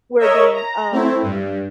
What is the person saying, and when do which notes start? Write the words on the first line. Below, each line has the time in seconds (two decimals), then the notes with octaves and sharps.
we're being, um,
0.19 A#4 C#5 D#5 E5
0.54 A#5
0.91 A3 C4 E4
1.23 G2